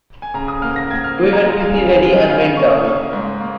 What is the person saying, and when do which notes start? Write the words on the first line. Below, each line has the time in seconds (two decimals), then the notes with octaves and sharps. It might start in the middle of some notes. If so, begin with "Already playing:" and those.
We were quickly ready and went out.
0.22 G#5
0.34 C#3 A#5
0.48 D#6
0.62 A#3 F6
0.76 A#6
0.90 A#3 G#6
1.04 F6
1.18 A#3
1.33 A#5
1.45 G#3 A#5
1.60 F5
1.73 C#3 G#5
1.88 G#5
2.02 G#3
2.16 G#5
2.29 C#3 F5
2.57 A#3 C#6
2.69 D#6
2.80 C#6
2.85 A#3
3.13 G#2
3.40 A#3